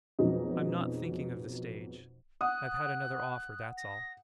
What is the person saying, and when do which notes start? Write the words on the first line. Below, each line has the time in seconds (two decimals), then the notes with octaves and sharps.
"I'm not thinking of the stage. I've had another offer: that's all."
0.19 F2 B2 F#3 G#3 C#4 D#4
2.41 F#5 D#6 F#6
3.77 A#6